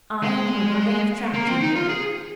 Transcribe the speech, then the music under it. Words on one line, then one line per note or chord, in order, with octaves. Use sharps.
I and my brother have tracked you here.
G#3
A#3
C4
D#4
F4
G#4